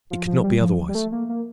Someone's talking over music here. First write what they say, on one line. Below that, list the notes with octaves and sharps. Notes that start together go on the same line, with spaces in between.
It could not be otherwise.
F3
F3
G3
F3
G3
A3
A#3
A#3